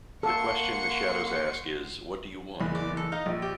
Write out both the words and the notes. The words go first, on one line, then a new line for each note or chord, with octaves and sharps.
The question the Shadows ask is What do you want?
A#3 A4 F#5 C6 C#6 C#7
F#1 E2 B5
D5
A4
D#4 D#5 F5
A#1
G4